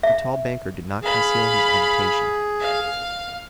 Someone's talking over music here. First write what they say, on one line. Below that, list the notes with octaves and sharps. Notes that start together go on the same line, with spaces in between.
The tall banker did not conceal his agitation.
E5
G#4 F5 B5
F5